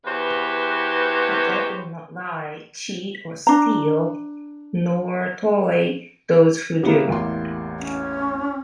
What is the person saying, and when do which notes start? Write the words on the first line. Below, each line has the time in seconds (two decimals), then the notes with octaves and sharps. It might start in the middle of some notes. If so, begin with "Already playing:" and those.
A cadet will not lie, cheat, or steal, nor tolerate those who do.
0.05 E2 F#4 G4 B4 C5
3.47 D4 A#5
6.83 C#3 A#3 B3 E4 G4
7.08 A1 E2 C6
7.80 C#4